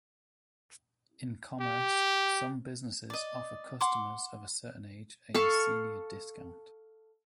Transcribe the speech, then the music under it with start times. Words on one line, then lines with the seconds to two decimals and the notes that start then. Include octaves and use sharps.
In commerce, some businesses offer customers of a certain age a "senior discount".
1.61 G4
3.10 D5 D#5
3.81 F#5 C6 D6
5.35 A4 F5 C#6